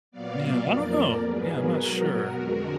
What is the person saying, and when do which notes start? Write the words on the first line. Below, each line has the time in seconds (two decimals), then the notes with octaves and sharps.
Yeah, I don't know, yeah, I'm not sure,
0.11 A#2 F#3 B3 D5 F5
0.67 F2 F3 A#3 A#4 D5
1.23 G#2 F#3 B3 G#4 B4
1.51 F#4 A#4
1.80 B2 F#3 B3
2.35 F2 D3 G#3 F#4 A#4